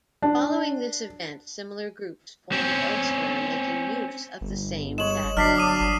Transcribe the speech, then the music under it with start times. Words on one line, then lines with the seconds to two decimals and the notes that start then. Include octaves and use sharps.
Following this event, similar groups formed elsewhere making use of the same tactics.
0.22 D4
2.52 C4 C#4
4.41 G1
4.98 G#3 C#5 E7 F#7
5.37 G1 F#3 D4 D5 F6 B6 C7
5.55 D6 D#6 D#7